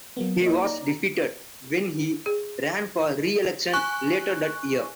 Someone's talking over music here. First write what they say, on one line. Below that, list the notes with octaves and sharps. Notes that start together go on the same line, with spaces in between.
He was defeated when he ran for reelection later that year.
F#3 A#3 B3
A#3 C#5 D#5
D#4 D5 A#5
G#4
G#5 C#6 F#6